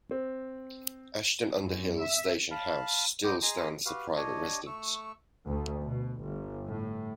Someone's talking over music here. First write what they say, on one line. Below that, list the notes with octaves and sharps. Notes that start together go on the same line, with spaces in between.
Ashton under Hill station house still stands as a private residence.
C4
F#2
E5
F5 A5 B5
B3 C5 D#5 G5 D6
G#4 D#5 A#5 C6
F#4 G4 B4 F5
D4 G4 C#5 D#5
A3 C#6 E6
D2
B2
G1
A2